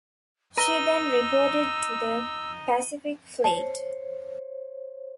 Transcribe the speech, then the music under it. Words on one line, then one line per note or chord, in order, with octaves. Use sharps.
She then reported to the Pacific Fleet.
D#4 B4 A#5 E6 D#7 G7
C5 C#5 A5